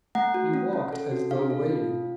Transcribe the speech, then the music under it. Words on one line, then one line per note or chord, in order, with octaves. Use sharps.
He walked as though wading.
A3 F#5
F#4
C#4
C#4
A4
F#4
D4 F5
A4
F4
C#4